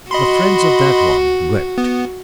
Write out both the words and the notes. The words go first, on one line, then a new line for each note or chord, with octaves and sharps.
The friends of that one wept.
F#4 D#5 B5 C6
B3